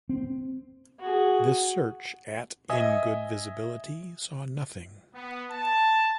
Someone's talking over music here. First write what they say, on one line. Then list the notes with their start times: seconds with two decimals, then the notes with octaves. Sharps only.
This search at in good visibility saw nothing.
0.09 C4
1.00 F#4 G#4
2.70 D#5 E5 G#5 D#6
5.15 B3
5.51 A5